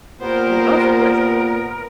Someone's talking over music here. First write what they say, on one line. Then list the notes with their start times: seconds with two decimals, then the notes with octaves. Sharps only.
Right, of course.
0.20 A#2 B3 G4 A#4 C5